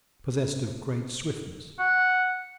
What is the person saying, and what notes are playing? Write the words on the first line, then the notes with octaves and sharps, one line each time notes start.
Possessed of great swiftness.
F#5